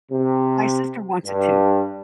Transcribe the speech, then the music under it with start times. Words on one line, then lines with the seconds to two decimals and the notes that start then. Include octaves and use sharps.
My sister wants it too.
0.12 C3
1.25 G2